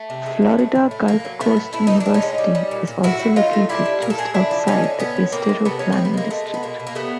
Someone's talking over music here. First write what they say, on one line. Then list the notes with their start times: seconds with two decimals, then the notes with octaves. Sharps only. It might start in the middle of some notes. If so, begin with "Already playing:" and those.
Florida Gulf Coast University is also located just outside the Estero Planning District.
Already playing: A3
0.10 C3
0.26 G#3
0.42 A2
0.59 F#3
0.75 A2
0.91 A3
1.08 A2 A#3
1.25 F#3
1.40 A2 A3 B3
1.57 A3
1.73 A2 E4
1.87 E3 D#4
2.00 D4
2.06 A2
2.14 C#4 D#4
2.22 G#3
2.38 G3
2.55 G3
2.71 A#2
2.87 A#2
3.03 A2 E4 F#4
3.20 F#3
3.36 A2 D#4 F4
3.53 A3
3.69 G3 D4 E4
3.86 G3
4.02 A#2 A#4
4.10 A4
4.18 A#2 G#4 A#4
4.34 D3 D4 E4
4.51 F3
4.67 D3 C#4 D#4
4.84 A3
4.99 A2 B3 C#4
5.16 F3
5.32 A2 A#3 C4
5.49 G#3
5.65 C3 A3 B3
5.79 D#3 C#4
5.92 C4
5.98 C3
6.05 B3
6.14 G#3 A#3
6.31 G#3 A3
6.47 G#3
6.54 B3
6.63 B2 A#3
6.80 B2
6.87 A#3
6.95 G3 A3 B3